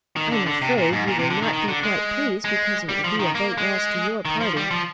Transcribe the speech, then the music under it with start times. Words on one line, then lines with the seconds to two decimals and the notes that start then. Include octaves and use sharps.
I am afraid you will not be quite pleased because it will be a vote lost to your party.
0.16 D#3
0.32 D3
0.47 D3
0.62 C3
0.78 A#2
0.93 G#2
1.08 A#2
1.19 C3
1.30 D3
1.42 D#3
1.53 D#3
1.68 D3
1.83 G#3
2.45 G#3
2.89 G3
3.04 F3
3.19 D#3
3.35 A#3
3.58 G#3
4.25 D#3
4.40 F3
4.57 G3
4.71 F3